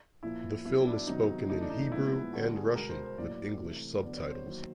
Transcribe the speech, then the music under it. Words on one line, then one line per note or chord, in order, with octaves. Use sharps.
The film is spoken in Hebrew and Russian with English subtitles.
A#2 F3 A#3 E4
B2 F#3 B3 E4
D4
C3 D#3 F#3 B3 D#4
C#3 E3 A3 D#4
D4
D#4
D#4
A#2 F3 G#3 B3 E4
D3 G3 B3 F#4
G#4
B2 G#3 B3 A#4
C5
C5
A2 F#3 A#3 D5
D5
C3 E3 A3
D3 F#3 B3 D5
C#5
C5
D#3 F#3 A#3